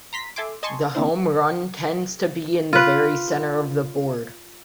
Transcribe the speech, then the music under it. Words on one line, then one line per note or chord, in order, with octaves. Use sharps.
The home run tends to be in the very center of the board.
A#5 C6 B6
A4 E5 G#5 C6 D6
D#5 G#5 A5 C6 C#6
A#3 C4 D4 E4 C5
F4 B4